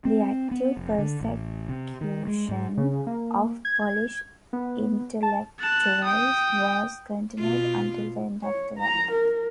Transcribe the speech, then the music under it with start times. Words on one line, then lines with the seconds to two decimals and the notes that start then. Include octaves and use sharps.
The active persecution of Polish intellectuals was continued until the end of the war.
0.05 C4
0.51 B3
0.77 F1
0.98 D3
1.21 A1
1.69 C3
2.01 D#3
2.27 G#3
2.49 G#2
2.77 C#3
3.07 A#3
3.65 G#6
4.53 B3
5.23 A5
5.60 A5 F#6
6.04 G5 D#6
7.39 B2 F4
8.43 C#5
8.78 A#5
9.12 A#4